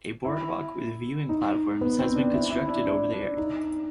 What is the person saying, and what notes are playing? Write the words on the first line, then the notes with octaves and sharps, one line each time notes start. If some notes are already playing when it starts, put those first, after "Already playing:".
A boardwalk with viewing platforms has been constructed over the area.
E4
D#4
B3
C4
D4
E4
E4
D4
D4
D4
D#4